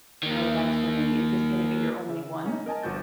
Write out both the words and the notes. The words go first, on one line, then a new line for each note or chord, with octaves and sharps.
Oh, that's funny. Is this gonna be your only one?
D#3 A#3
C#3 E5
C#4 D#4
A#4 D#5 G#5 A5
G1 F3 F#4 G6 A6